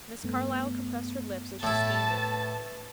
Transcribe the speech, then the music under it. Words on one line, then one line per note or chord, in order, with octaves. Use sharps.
Miss Carlyle compressed her lips as she scanned it.
G2 A3 B3
A2 E4 A5
B4